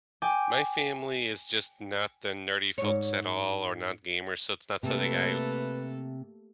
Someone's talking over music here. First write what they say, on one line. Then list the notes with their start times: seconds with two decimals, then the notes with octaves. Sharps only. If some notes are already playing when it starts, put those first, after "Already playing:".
my family is just not the nerdy folks at all, or not gamers, so, it's not something I
0.22 G5 G#5 D6
2.78 G#2 C#5
4.83 C3 A3 A#3 A4 B4